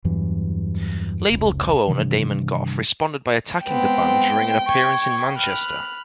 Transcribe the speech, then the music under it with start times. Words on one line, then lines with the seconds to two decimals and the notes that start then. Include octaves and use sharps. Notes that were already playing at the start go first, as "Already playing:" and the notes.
Label co-owner Damon Gough responded by attacking the band during an appearance in Manchester.
0.04 E2 G2 E3 F#3
1.30 F1 C#2
1.87 G2 C3 D#3 E3
3.66 G#3 B3 C4 G5
4.67 C#6 G#6
5.36 B5 F6 F#6